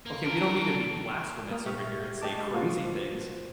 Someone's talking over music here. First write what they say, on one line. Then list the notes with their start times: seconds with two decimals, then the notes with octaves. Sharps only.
Okay, we don't need to be blasphemous over here and say crazy things.
0.06 A#3
0.25 D4 A#4 D7
1.51 A#3 D#6 F6
1.65 A#2 G4 E5 C#6 F6
2.21 G#3 G4 D#5 A5 D6
2.54 A#3 F4 F#4 C5